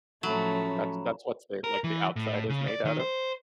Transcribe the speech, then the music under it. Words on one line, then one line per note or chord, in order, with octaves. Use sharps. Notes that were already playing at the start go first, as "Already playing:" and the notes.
That's that's what's they like, the outside is made out of?
A2 F3 F#3 A3 C#4 A#5 B5 E7
A#4
E3
A2
C#3
D5
D#3
C5